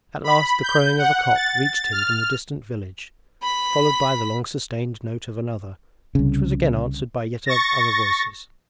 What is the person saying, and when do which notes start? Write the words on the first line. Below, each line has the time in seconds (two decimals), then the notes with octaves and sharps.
At last the crowing of a cock reached him from the distant village, followed by the long-sustained note of another, which was again answered by yet other voices.
0.24 B5
0.63 G6
0.98 F#5
1.35 A6
1.92 F6
3.42 B5 B6
6.15 C2 C#3
7.46 C#6 A6 A#6